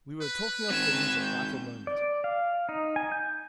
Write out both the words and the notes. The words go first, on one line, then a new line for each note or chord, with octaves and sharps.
We were talking of things of vital moment.
B4
G#2 D#3 C4 G#6 E7
G6
D5
F5
D#4
G#5
G6